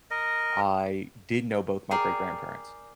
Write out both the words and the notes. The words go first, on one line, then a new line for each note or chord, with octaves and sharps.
I did know both my great-grandparents,
A#4 D#5
G#4 A#4 D5 G5